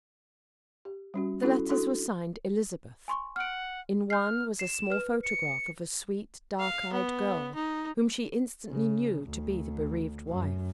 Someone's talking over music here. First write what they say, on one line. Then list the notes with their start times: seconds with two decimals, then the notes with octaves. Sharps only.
The letters were signed "Elizabeth." In one was a small photograph of a sweet, dark-eyed girl whom she instantly knew to be the bereaved wife.
0.85 G4
1.14 G3 C#4 F#4
1.42 C#4 E4 F#4 A4
1.69 D4 E4 F#4 A4
3.08 G#5 C6 C#6
3.36 F#5 F6 D7
4.10 F6 G6 C7
4.59 C7 E7
4.90 B4 F6
5.24 C#7
6.60 F5
6.93 B3
7.55 D#4
8.70 C#3
9.25 D2
10.29 F#2